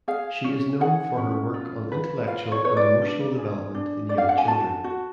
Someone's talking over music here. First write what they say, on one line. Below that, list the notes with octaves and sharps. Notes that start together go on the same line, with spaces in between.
She is known for her work on intellectual and emotional development in young children.
G#4 F5
C#4
G#4 F#5
C#4
F4
B4
F4 F5
C#5
B4 C#5
D5
D4
G#4
D4
D4 D5
F5
F#5
G#5
F#4 A5
F#4